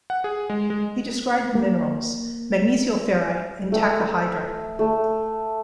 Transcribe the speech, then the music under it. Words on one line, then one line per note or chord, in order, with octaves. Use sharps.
He described the minerals, magnesioferrite and tachyhydrite.
F#5
G#4
G#3
G#3
A#3
A3 D#6
E6
A3